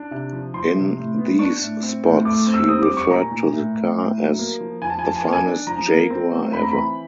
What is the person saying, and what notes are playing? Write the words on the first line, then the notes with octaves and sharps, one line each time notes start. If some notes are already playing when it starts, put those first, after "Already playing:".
In these spots, he referred to the car as "the finest Jaguar ever".
Already playing: D4
C3
F3
F3 C6
C3
A2
B3
D4 C#6
A2
C4
A2
A3 D6
C4
E6
C4 D#6
D6
G3
C#6
A#2 A#5
A#2
A2
A2
A2
F#3
A#3
F3
F3 G#5
A5
G#5
F3 A5
G#5
A#3 A5
G#5
D4
F3 A#5
A#3
C4
A3
C4 B5
A#5
E3 B5